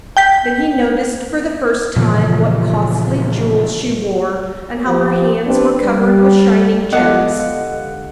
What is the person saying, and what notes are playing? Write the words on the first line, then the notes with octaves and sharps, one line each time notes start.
Then he noticed for the first time what costly jewels she wore, and how her hands were covered with shining gems.
G5 G6 B6
A#2 C#3 E3 F3
F3 G4
C4 D4 G4 B4
G3
D3 G#3 B3 G4 A4 D#5 F5 F#5